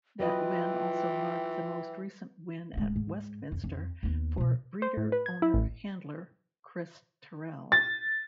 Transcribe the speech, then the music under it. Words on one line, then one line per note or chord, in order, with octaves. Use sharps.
That win also marked the most recent win at Westminster for breeder-owner-handler, Chris Terrell.
E3 F#3 F4 B4 D#5 G5
D1 G#3
G#2
F2
F2
D#2 B3
B2 F3
C5
A2
B4
G#6
E4
A1
A6